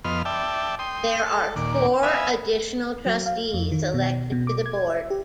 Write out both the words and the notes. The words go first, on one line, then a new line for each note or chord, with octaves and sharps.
There are four additional trustees elected to the Board.
F2 B3 D#5 C6 F6
D5 E5 G5 A5
G5 C6 D#6
A4
D#2 A#2 D5
E5 F5 G#5 B5 D#6
F#3
F5
F2
D#3
B2
B2
D6
G#6
E5
G4